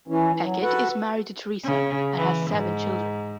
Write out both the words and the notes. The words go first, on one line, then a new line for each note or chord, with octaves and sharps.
Peckett is married to Teresa and has seven children.
E3 C#4
F#3
F#4 A4 B4 F#5
C#3
E3
G#2